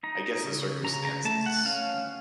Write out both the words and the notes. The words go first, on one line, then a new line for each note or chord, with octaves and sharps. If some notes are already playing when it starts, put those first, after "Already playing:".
I guess the circumstances yeah.
D#4 A#5
C#3
C#3 A#5
A#5
A3 A5
F#5
C#4 F5